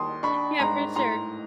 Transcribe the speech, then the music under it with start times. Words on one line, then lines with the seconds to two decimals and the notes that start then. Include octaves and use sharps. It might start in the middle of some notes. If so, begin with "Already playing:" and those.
yeah, for sure.
Already playing: D#2 C6 D#6
0.23 D4 B5 C#6
0.59 G#2 A#5 C6
0.96 A2 A#5 C6